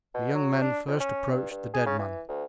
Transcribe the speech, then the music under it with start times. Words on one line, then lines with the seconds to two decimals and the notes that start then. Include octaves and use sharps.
The young men first approached the dead man.
0.14 B2
0.35 F#3
0.61 D4
0.87 F2
1.00 C#4
1.32 G2
1.51 G2
1.74 G#4
1.86 C#3
1.98 E3
2.29 D2